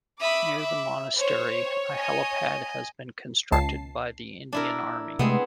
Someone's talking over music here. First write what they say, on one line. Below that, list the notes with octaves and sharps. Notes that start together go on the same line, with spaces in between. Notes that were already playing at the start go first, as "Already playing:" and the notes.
Near the monastery, a helipad has been constructed by the Indian Army.
E5 B5 D6 D#6
E5
C5 C#5
D#5 G#5
C#2 A5 C7
D4 E4 A#4
C3 G#3 A3 B3 C4 G#4